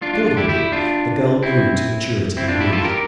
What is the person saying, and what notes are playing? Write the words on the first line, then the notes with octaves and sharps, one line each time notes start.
Accordingly the girl grew to maturity in Bruges.
D4 F4
D4 F4
D4 F4
E4 G4
E4 G4
D4 F4
C4 E4
C4 E4
D4 F4
E4 G4
F4 A4
G4 A#4